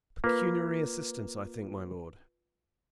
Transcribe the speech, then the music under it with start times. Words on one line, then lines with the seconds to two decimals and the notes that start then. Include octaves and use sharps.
"Pecuniary assistance, I think, my Lord."
0.24 A#3 F4 B4